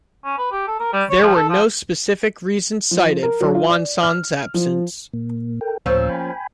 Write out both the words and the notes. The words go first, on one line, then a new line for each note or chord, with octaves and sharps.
There were no specific reasons cited for Juan Son's absence.
C#4
B4
G4
A4
A#4
G3
C#5
F3
A4
F3
F3
A#4
F#3
F4
D5
F6
F3
A#2 A#3
A4 A#4 G5
D2 A2 F3 A#3 C#4 E6
G5 G#5 B5